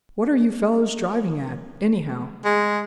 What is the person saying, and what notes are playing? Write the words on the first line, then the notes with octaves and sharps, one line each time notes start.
"What are you fellows driving at, anyhow?"
G#3